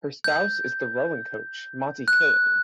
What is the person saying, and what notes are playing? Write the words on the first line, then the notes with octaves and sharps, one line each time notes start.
Her spouse is the rowing coach Matti Killing.
G6
F#6